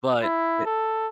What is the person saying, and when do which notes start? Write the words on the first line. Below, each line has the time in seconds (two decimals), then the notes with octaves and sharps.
but but
0.23 E4
0.66 A4